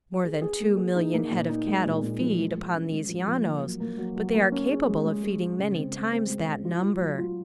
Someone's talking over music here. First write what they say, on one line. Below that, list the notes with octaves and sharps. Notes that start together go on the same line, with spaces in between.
More than two million head of cattle feed, upon these llanos, but they are capable of feeding many times that number.
G#4
G#4
A#3
G#4
D#4
A#3
A#2
D#4
G#3
A#2
A#2
F3
G#3
G#3
C#4
G#3
F3
F3
A#3
F#3
A#3
F#3
F#3
A#3
C#4
G#4
G#3
G#3
G#4
G#3
C#3
C4
C4
C4
G#3
G#3
F4
F4
F#3
F4